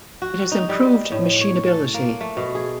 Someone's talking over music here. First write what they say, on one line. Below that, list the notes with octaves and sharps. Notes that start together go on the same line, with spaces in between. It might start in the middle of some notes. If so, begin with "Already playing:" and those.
It has improved machinability.
F#4
D#4
G3
A2
C#5
A4
A#3
A3
B2
G#4